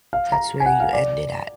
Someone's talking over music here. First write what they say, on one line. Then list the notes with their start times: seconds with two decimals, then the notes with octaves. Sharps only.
that's where you end it at.
0.13 F5
0.32 A#5
0.60 G#5
0.66 F#5
0.80 F5
0.93 D5